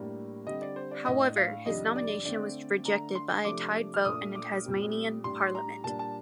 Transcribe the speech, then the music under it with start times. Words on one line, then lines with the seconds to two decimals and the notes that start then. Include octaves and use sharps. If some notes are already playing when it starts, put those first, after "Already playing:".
However, his nomination was rejected by a tied vote in the Tasmanian Parliament.
Already playing: A2 G3 A#3 D4
0.46 D3 G3 C4 D#5
0.61 D5
0.76 C5
0.91 D5
1.06 A2 A3 D4 D#5
1.37 F5
1.66 F2 C3 D#3 G3 D4 D#5
1.96 D5
2.25 D3 A3 C4 D5
2.85 D3 A3 D4 A#5
3.15 C6
3.45 C3 F3 A3 D4 D6
3.94 F6
4.05 A#2 A3 D4 D#6
4.35 D6
4.65 A#2 G3 C4
5.24 A2 G3 D4 C6
5.55 A#5
5.84 A#2 G3 A#3 D4 A5
5.99 A5